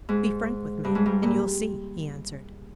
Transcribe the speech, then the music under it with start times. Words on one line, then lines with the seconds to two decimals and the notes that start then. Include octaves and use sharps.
"Be frank with me and you'll see," he answered.
0.09 G#2
0.84 G2
0.95 G#2
1.06 G2
1.23 A#2